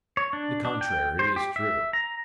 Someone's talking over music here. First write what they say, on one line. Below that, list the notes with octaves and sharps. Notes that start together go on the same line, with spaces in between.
The contrary is true.
C#5
D4
D4
G5
C5
G4
E5
A#5